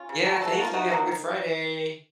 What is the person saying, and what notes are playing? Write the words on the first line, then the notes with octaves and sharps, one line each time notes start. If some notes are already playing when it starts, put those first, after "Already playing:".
Yeah, thank you, have a good Friday.
Already playing: C#4 F4
C#3
F#3 A3
C3 A4
F#4
F3 A#3 F4
C3 D#4 F#4
D#3 F#3 A#3
D#3